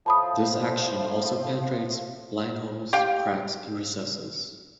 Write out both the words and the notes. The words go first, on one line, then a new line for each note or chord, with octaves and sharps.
This action also penetrates blind holes, cracks, and recesses.
A2 F3 A5 B5 D#6
G4 F5 G5